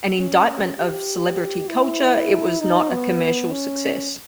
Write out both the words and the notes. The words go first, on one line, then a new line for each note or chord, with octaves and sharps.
An indictment of celebrity culture, it was not a commercial success.
C#4
C#4
G4
E4
D#4
B3
C#4